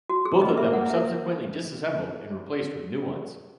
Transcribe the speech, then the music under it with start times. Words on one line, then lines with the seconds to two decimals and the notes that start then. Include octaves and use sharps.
Both of them were subsequently disassembled and replaced with new ones.
0.09 F#4
0.25 G#4
0.41 A#3 D#5
0.57 E5
0.73 F#5
0.90 E5